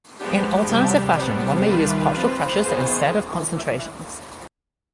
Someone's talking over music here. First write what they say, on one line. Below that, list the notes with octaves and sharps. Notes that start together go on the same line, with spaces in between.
In alternative fashion, one may use partial pressures instead of concentrations.
F3 G#3 B3 D4 G4
F2 C3 G3 D4 G4
F2 C3 G3 B3 D4
D#3 G3 D4 F4 B4
F3 C4 F4 B4
B3 F4 G#4 C5